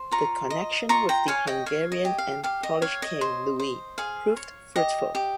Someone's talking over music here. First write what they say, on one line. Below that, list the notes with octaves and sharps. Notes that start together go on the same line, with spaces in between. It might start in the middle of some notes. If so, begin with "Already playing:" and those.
The connection with the Hungarian and Polish king Louis proved fruitful.
Already playing: C5
F4 A#5 C#6
D#5
F4 A#5 C#6
G5 A#5
C#5 F5 G#5
D#5 G5
C#5 F5
D#5
G4
F5
G4 F5
D#5
C#5 F5
D#5
C5
C5
G#4 F5
C#5
G4 D#5
G4